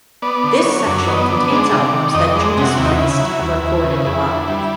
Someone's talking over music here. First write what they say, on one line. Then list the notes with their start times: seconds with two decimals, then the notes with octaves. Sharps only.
This section contains albums that Judas Priest have recorded live.
0.22 B3 D5
0.44 D3
0.54 C#5
0.65 F#3
0.87 F#2 D5
1.08 B3 D#5
1.29 D3 D5
1.50 G#3 D5
1.72 C3
1.83 D5
1.92 D#3
2.14 F2 D#5
2.30 G#3 D5
2.57 C3 F#4
2.78 D#2 E4
2.86 D#4
2.94 E4
2.99 C#3
3.20 F#3
3.41 D#2
3.63 D#2
3.84 C#3
4.05 F2 E4
4.26 D3
4.48 G3